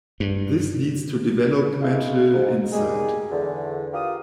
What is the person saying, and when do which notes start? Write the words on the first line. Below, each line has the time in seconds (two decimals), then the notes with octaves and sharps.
This leads to developmental insight.
0.20 G2
1.81 G#3 E4 F5
2.34 G#2
2.73 G3 G#3 A#3 D#4 G#4
3.32 E2 D3
3.93 F4 G4 A#4 F5 G5 D#6